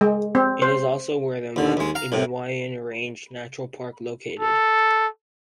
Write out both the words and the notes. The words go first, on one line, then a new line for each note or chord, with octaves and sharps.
It is also where the Mount Inayawan Range Natural Park located.
G#3
C4
C5
D#2 D3
D#2 G#3
F5 A#5
C2 A2 C3
A4